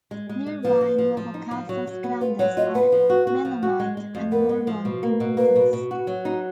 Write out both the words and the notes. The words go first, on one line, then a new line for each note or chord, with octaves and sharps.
Nearby Nuevo Casas Grandes are Mennonite and Mormon communities.
G#3
G#3
G#3
F3 B4
F3
F3
F3
D#4
F3
F#3
F#3
B3
F4 B4
F#3 C#5
F4 D#5
B3 B4
F3
F#4
F#4
F3
F#4
G#3
G#3
F2
B3 A#4
G#3
F3
B2
A#3
B2
A#3 B4
B2
B2
F#4
F#3
D#4